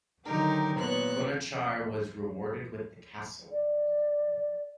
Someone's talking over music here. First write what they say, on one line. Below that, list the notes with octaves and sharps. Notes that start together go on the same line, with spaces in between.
Conachar was rewarded with the castle.
D3 D#3 F#3 D#4 G4 A#4
A#2 B3 C#5 F#6
D5